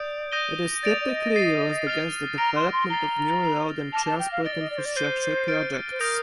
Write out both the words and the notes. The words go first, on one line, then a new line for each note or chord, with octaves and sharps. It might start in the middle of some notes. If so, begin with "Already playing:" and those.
It is typically used against the development of new road and transport infrastructure projects.
Already playing: D5 D#6 G6 D7
D#6 G6 A#6 D#7 G7
D5 A6 D7 F7
D5
D#5
A6 C7 D#7
F6 A6 C7 F7
A#5 F6 A#6 D7 F7
C6
C6
A#5 A6 C7 G7
F6 C7 F7
A5 D6 F6 A#6 F7
A5
G5
F5
D#5 A6 D7 G7
D5
D#5
D5
C5
D5
C5 G6 C7 D#7 G7
F6 A6 D7
C5
A#4 D#6 G6 A#6 D7